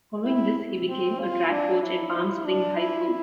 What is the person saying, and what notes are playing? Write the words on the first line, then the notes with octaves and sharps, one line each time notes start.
Following this he became a track coach at Palm Springs High School.
E4
C4
F4
D4
E4
E4
D4
E4